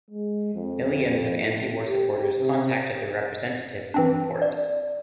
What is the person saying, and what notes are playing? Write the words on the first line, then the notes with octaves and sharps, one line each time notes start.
Millions of antiwar supporters contacted their representatives in support.
G#3
F2
A2
G4
C3
E3 C4 D4
D5